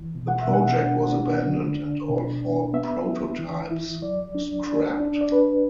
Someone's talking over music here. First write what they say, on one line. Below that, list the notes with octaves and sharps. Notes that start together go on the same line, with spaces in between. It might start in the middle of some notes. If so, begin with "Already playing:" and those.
The project was abandoned and all four prototypes scrapped.
Already playing: E3
B2
F#5
E5
B2
F#5
D4
D4
D3
D4
B2
D4
B3 E5
E4
E3
E4
F#3 D5
D4
D4
D4
D5
D4 B4